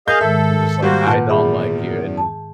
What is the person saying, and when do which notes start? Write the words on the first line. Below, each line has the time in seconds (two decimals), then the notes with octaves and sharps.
I'm just like, "I don't like you, and"
0.08 G#4 A#4 D#5 F5 G6
0.21 G#2 D#3 G#3 A4 E5
0.82 G3 A#3 F#4 C5
1.07 A#2 B4 F#5 A5
1.29 E2 G#4 E5 B5
2.17 A5